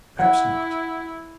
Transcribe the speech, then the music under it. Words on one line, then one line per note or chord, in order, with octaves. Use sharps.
Perhaps not.
E4 F#5